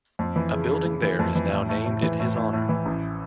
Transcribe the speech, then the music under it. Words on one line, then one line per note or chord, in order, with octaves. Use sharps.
A building there is now named in his honor.
F2
E3
C#3
C#3
F2
E3
F2
E3
A2
A2
A2
E3
A2
A2
A2
E3
A1